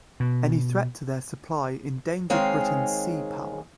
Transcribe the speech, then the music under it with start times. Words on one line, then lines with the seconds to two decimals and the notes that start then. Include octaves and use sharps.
Any threat to their supply endangered Britain's sea power.
0.20 B2
2.30 D#3 G#3 C4 G#4 C#5 F5